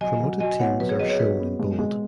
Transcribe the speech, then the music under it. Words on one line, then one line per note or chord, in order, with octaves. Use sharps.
Promoted teams are shown in bold.
F#3 D#5 G#5
F#3
F#4 D#5 G#5
B3 C#5 F#5
F#3 B4
G#4 C#5
F#3 B4 D#5
G#4 C#5
F#4 B4
B3
G#3
G#3